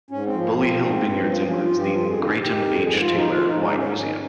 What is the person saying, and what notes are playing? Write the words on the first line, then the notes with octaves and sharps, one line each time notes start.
Bully Hill Vineyards includes the Greyton H. Taylor Wine Museum.
G#2 C#4
C4
F3
A#3
F3 C4
G#2
G2
F3
C4
F3 C#4
F4
G2
G4
F2 F4
G#4
D#3
G#4
D#3 G4
F2
G#2 G#4
F4
F3
D#4
F3 F4
D#4
G#2
D#4
G#2 C#4
D#3